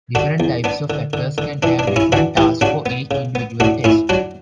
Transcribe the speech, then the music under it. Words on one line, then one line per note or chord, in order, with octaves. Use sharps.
Different types of actors can have different tasks for each individual test.
D3 D4 F#4
E2
B3 D4
D3
D3
D3
E3 D4
D4
G2
C#4 E4
E3 D4 F#4
E3 E4 G4
C#3 D4 F#4
B3
C#3
B3
A2 D4 F#4
A2 C#4 E4
F#3 D4 F#4